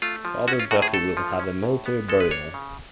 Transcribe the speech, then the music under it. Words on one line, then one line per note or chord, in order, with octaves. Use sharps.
Father Duffy will have a military burial.
A3 F4
F3
C#4 F#4
F4
A2 F#4
G#4
A3 A4
F3
C#4
A2
B3
G#3 A4
B4
D4 C#5
C#3